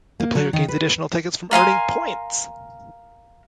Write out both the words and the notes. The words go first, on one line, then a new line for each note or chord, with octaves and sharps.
The player gains additional tickets from earning points.
A#3
F#3
D#3
B4
A#4 F5 G#5 C6